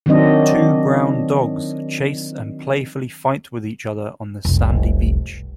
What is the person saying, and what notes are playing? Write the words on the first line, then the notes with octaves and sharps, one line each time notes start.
Two brown dogs chase and playfully fight with each other on the sandy beach.
D#3 F#3 C4 D4 D#5
F1 C2